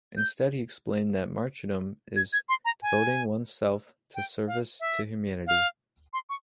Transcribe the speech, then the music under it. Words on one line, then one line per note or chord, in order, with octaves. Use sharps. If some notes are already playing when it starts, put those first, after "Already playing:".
Instead, he explained that martyrdom is devoting oneself to service to humanity.
G6
G#6
G#6
C6
A#5
G#5
G5
F5
E5
F5
C6
C#6